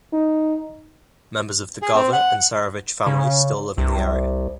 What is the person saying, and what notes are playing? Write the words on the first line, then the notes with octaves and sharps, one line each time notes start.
Members of the Gava and Serovich families still live in the area.
D#4
G#4
C4
F#5
C#3
C2